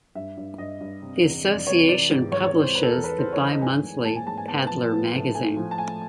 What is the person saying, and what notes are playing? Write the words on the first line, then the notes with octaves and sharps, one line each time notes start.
The Association publishes the bi-monthly "Paddler Magazine".
G2 E5
G2
G2 D#5
G2
C3
E2
F1 D5
C3 C#5
E3 D5
G#2
G#2 C#5
C#5
E3
C5
E2 B4
A4
A#4
E2
B4
E2 C5
C#5
E3
D#5
G#2 G#5
G#2
A#3 A5
G#5
G#2 A5
G#5
B3 A5
F3 A5
B3
A2
A3 G#5
F3
A5
A3 G#5